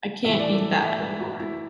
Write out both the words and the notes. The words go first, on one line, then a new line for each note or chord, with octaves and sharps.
I can’t eat that anymore.
A2 E3 E5
D5
A4
E5
B4
F#4
E4